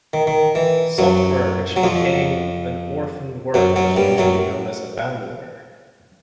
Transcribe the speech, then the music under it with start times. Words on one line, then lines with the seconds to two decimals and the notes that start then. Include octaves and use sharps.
Software which became an orphaned work is usually known as "abandonware".
0.13 D#3
0.27 D#3
0.55 E3
0.98 F#2 F#3
1.76 F#3
1.83 F2 F3
3.54 F#2 F#3
3.76 F#2 F#3
3.96 G2 G3
4.18 F#2 F#3